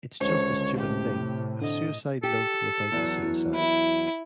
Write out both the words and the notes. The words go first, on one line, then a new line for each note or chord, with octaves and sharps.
It's just a stupid thing-a suicide note without the suicide.
C#2 D3 C5 C#5
A2 C3 G4
D3 D#5
G4 A4
E2 F#3
E4